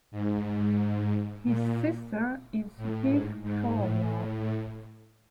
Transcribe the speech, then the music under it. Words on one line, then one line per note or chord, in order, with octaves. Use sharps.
His sister is Eve Forward.
G#2
G#2
A#2
A2
G#2
G#2
A2
A2